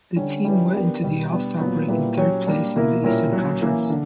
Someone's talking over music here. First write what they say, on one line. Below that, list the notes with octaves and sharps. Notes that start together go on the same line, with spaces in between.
The team went into the All-Star break in third place in the Eastern Conference.
D3 G3 C#4
G3 C#4 E4 B4 D5
B3 D4 G4 A#4
B2 G3 B3
G3 B3 D4
A#2 F#3 B3
A#2 G3 A#3 E4 B4
F#3 C#4 G4 C#5
G3 A#3 D4 A#4
B2 A#3 E4 A#4
A#2 G3 C#4 E4 A#4
F#3 A#3 C#4
E3 A#3 C#4
D3